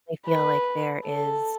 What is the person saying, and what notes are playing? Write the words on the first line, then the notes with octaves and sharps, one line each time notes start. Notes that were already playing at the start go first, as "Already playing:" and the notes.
I feel like there is,
B4
A4